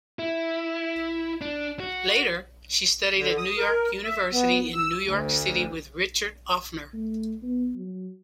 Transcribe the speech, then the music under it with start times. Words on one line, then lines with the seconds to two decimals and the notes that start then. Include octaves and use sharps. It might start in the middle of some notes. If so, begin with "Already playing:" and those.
Later, she studied at New York University in New York City with Richard Offner.
0.19 E4
1.41 D4
1.80 F#4
3.18 D3
3.37 D#6
3.57 A#4
4.04 E5
4.32 B3
4.74 E6
5.04 D2
6.94 A3
7.43 B3
7.75 F#3